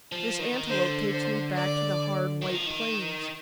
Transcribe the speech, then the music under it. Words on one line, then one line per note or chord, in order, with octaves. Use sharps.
This antelope takes me back to the hard, white Plains.
F3
D#3
D3 C5
C5
D5
D#3
F3
D#3